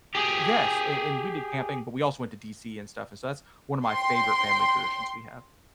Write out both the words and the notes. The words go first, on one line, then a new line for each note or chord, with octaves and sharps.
Yes. A and we did camping, but we also went to DC and stuff. And so that's one of my favorite family traditions we have.
G4 G#4
G5 C6